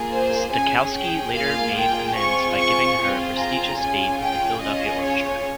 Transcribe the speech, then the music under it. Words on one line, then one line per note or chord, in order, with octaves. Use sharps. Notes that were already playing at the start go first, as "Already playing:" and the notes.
Stokowski later made amends by giving her a prestigious date with the Philadelphia Orchestra.
Already playing: A#3 F4 G#4
C5
C#4 G#4 G#5
G5
A#3 F4 G#4 F5
G5
C4 F4 G#4 C#6
C#6
C4 F4 G#4
A#5
C#4 F4 G#4 G#5
G5
C#4 F4 G#4 D#5
C#5